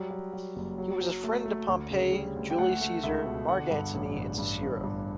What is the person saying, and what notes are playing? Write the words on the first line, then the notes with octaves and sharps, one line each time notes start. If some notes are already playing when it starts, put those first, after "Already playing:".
He was a friend to Pompey, Julius Caesar, Mark Antony and Cicero.
Already playing: F#3 G3
F#3
F#3
F#1
F#3
F#3
A3
A3
D2
C#3
G3
D2
G5
A3 F#5
A3
C#2 E5
B2
D3 F#5
G2
A1
A1
G2
G1
G2